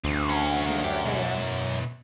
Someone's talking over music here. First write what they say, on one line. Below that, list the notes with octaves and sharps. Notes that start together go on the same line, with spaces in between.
You don't remember, yeah?
D2 D4 C5
C#4 F#4
D#3 A#3
F#2 G4
B2 E4